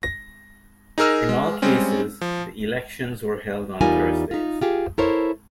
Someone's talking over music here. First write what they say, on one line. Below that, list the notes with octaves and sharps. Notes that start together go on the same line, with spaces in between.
In all cases, the elections were held on Thursdays.
A#6
D#4 G#4 A#4 E6 F6
G#3
G3 G#3 C4 C#4
F3
E2 G3 D#4 F4 A#4 G#5
D#4 F4
F4 G4 G#4
E4 A4 A#4 C5 C#5